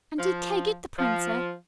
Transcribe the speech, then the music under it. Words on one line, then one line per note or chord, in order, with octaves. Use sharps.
"And did Kay get the Princess?"
F3
F3